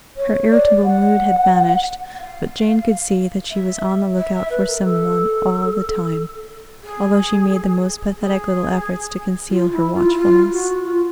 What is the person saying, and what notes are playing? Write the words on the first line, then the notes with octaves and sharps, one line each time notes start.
Her irritable mood had vanished, but Jane could see that she was on the lookout for some one all the time, although she made the most pathetic little efforts to conceal her watchfulness.
C#5
D5
F#5
F5
E5
E5
E5
B4
A#4
A4
G#4
G#4
F4
E4
F4
F4
F#4
F4